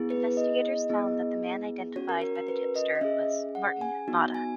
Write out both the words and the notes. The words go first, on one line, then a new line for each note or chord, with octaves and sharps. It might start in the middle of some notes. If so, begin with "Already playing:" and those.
Investigators found that the man identified by the tipster was Martin Motta.
Already playing: B3 E4 G#4
B4
D#5
B3 E4 G#4
C#4 F#4 C#5
A#4
A#4
A#4
B4
D#5
D#5
C#4 G#4 E5
F#5
G#5
B3 D#4 F#4
G#5